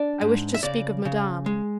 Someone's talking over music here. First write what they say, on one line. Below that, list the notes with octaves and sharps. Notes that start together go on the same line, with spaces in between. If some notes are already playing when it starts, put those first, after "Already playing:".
"I wish to speak of Madame."
Already playing: D4 D5
G#2
E5
C#3 D5
C#3
G#3